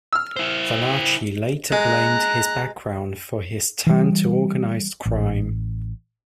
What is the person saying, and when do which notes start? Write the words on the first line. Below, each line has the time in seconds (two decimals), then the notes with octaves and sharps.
Valachi later blamed his background for his turn to organized crime.
0.13 E6 F6
0.36 E4 C5
1.72 G#3 A#5 F#6
3.87 E3 G3
5.06 A1